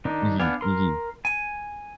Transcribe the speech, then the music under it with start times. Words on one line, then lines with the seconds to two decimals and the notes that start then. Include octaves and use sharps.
Mhm, mhm.
0.05 D#3 D4 D#4
0.39 B3 D4 F5 G#5
0.61 A#4 C6
1.25 G#5